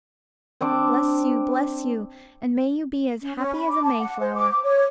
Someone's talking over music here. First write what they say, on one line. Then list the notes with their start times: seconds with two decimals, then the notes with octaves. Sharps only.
Bless you, bless you! and may you be as happy as a Mayflower!
0.61 C4 D4 D6
3.22 C#4
3.38 C#4
3.54 B5
3.70 D6
3.83 A5
4.00 F#5
4.20 C5
4.36 D6
4.51 D6
4.63 C#5